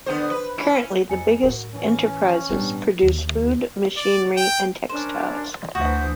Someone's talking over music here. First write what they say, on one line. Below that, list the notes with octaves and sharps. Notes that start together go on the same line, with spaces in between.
Currently, the biggest enterprises produce food, machinery, and textiles.
D3 B3 C5
B4
C#4 E4
F2 G#5 C#7
A2 F#4 A#4
E3 C#4
A#1 G#2 G3 B3 D4
D#2
D5
G5
C#4 D4 A#4 C5
D2 E3 F#4 C5 D#6 G6